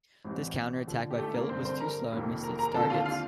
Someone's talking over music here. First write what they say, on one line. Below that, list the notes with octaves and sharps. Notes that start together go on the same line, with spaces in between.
This counter attack by Philip was too slow and missed its targets.
A1 A2 G3 C4
D#2 D3 F3
G4
A3 A4
A#3 A#4
G2 D3 A3 C4 C5
C4 C5
A#4 A#5
F1 F2 D#3 A#3
A#4 A#5
A#4 A#5
D#2 D3 F3 C4 A4 A5
F4 F5
F4 F5